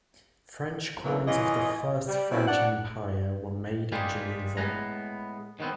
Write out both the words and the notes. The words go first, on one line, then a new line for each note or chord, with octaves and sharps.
French coins of the First French Empire were made in Geneva.
B2 D3 E3 F#3 A#3
E3 C#4 F4 D#5
G3
B2 F#3 C4 C#4 E4
D4 F#5
G3 G#3 A#3 F4 G4 G#4
A2 G#3 B3 G#5 A#5
G#2 D#3 F#3 B3 C4